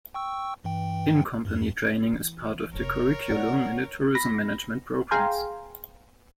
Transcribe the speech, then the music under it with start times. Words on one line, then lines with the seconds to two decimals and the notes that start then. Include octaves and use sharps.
In-company training is part of the curriculum in the tourism management programmes.
0.15 G5 C#6 E6
0.64 G2 E3 G5
1.45 E2 G2
2.13 E3
2.74 F1 C3 A#4 C#5
3.30 E4 D5 F#5
4.15 B5 A#6
5.11 G#4 F5 G5 G#5 A#5 C6